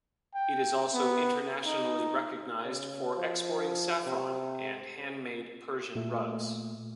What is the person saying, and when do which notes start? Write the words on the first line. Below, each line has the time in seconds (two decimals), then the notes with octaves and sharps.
It is also internationally recognised for exporting saffron, and handmade Persian rugs.
0.35 G5
0.93 B3
1.66 D#4
2.65 C#3
3.18 F3
4.06 C3
5.95 A#2 A3